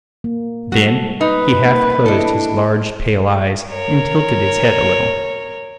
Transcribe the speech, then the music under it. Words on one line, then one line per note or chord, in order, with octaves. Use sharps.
Then he half-closed his large, pale eyes, and tilted his head a little.
A#3
G3 F#4 A4
D#4 B4
A#3
D4 E4 A4 D#5
A#4 C#5